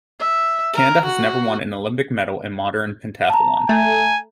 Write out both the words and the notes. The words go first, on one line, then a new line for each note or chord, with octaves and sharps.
Canada has never won an Olympic medal in modern pentathlon.
E5
A#4
F#4
A5 A#5
A3 G#5